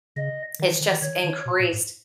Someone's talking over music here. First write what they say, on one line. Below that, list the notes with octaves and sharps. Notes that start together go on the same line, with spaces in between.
it's just increased.
C#3 D#5
D#3
E3
D#3
E3
D#3 C#5
D#3
B2
A#2
G#2